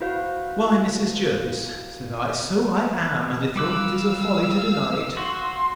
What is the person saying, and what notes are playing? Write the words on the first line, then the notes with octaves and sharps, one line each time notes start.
Why, Mrs. Jervis, said I, so I am, a little; 'tis a folly to deny it.
E4 F#4 B4 C5 F5
G3 F5 D6 E6 F#6
F#4 C6